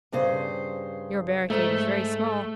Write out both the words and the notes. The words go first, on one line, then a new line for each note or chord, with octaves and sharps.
Your barricade is very small.
G2 C#3 C5
G#2 A3